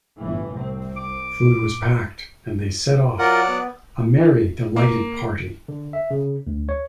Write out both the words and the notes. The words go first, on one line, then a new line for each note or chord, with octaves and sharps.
Food was packed, and they set off, a merry, delighted party.
G1 A2 E3
C2 C4
D6
A#2
F#3 F4 A#4 D5 F#5
B3
A#3
D3
E5
C#3
D2
C#5